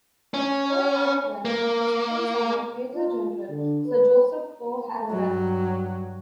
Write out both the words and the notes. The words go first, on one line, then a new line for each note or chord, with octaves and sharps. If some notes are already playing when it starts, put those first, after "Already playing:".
O'Halloran was the second son of Major-General Sir Joseph O'Halloran.
C#4
A#3
F4
D3
B4
G2 F#3